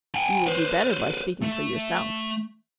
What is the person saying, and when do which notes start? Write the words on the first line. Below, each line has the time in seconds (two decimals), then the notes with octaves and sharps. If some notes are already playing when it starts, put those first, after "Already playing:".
"You will do better by speaking for yourself."
0.15 G5 G#5
0.47 B4 C5
1.42 A3